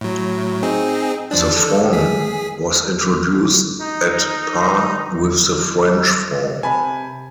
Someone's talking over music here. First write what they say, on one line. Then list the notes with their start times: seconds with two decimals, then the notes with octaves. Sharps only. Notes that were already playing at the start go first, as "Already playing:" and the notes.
The franc was introduced at par with the French franc.
0.01 A2 F#3
0.63 C4 D#4 G#4
1.31 E2 F3 D4
1.57 A4
1.93 G#4 B6
3.80 D#4
6.63 C3 G#5 A5 B5